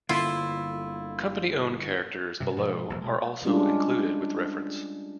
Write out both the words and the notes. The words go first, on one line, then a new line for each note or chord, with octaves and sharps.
Company owned characters below are also included with reference.
G1 D3 A#3 E4 F4
G2 C3
G#2 B2 F3
E1 A#1 G2
B2 G#3
G3 G#3 C#4 D4 E4 F4